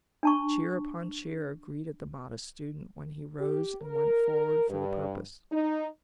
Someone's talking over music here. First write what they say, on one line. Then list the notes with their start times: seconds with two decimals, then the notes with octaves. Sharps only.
Cheer upon cheer greeted the modest student when he rose and went forward for the purpose.
0.23 D4 A5 C#6
3.41 G4
3.82 A#4
4.69 G2
5.52 D#4